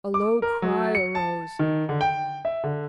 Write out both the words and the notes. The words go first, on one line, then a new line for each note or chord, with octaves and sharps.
A low cry arose.
D6
A#4
F#3
C#7
A5
D#3
D3
G5
E5
D3